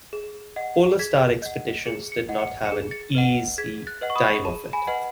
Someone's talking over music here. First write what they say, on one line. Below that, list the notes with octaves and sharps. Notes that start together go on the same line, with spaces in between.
Polar Star Expeditions did not have an easy time of it.
G#4
D#5 F#5
G#4 G#6 B6
D#5 F#5
G#4 C#7
C#7
D#5 F#5
C#7
C#7
G#4
A6 C#7
B4 D#5 F#5
G#4 G#6 B6
F#6 A6
B4 D#5 F#5
C#6
B5 D#6
G#4 A5
G#5 B5
B4 D#5 F#5